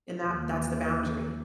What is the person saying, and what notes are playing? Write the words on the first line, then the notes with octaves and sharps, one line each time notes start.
and that that's the boundary.
D#2 D#3